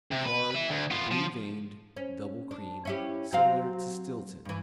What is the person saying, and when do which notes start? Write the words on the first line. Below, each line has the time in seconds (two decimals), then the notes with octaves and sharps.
Hard; blue-veined; double cream; similar to Stilton.
0.13 C3
0.26 B4
0.52 B4 E5
0.71 D2
0.91 B3 F4
1.11 F3
1.97 C#4
2.51 D4
2.85 C#4 E4 G4
3.33 F#3 C4 F5
4.45 G2 E3